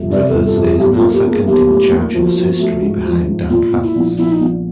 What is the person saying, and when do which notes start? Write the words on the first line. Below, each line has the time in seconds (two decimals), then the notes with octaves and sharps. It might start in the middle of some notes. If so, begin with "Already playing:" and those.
Rivers is now second in Chargers' history behind Dan Fouts.
Already playing: G1 F2 C3
0.12 C3 D5
0.28 A4
0.34 G1
0.45 A4
0.57 F2
0.62 G#4
0.79 B1 G4
0.95 F4
1.01 A#3
1.13 G4
1.24 A#3
1.30 G#4
1.47 B1 G4
1.69 A2
1.92 A#3
2.14 F3 F#4
2.37 F3
2.60 A3
2.82 G#2
3.05 F3
3.27 G#2
3.50 A#2 F4
3.73 A#2
3.84 E4
3.95 A#1
4.17 A#1 E4
4.32 D#4
4.40 A#1